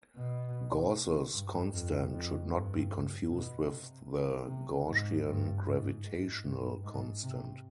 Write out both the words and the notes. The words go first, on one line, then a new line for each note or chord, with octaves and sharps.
Gauss's constant should not be confused with the Gaussian gravitational constant.
B2
G2
F2
F2
G2
B2
C3
C3
G#2
G2
G#2
G#2
G2
G#2
C3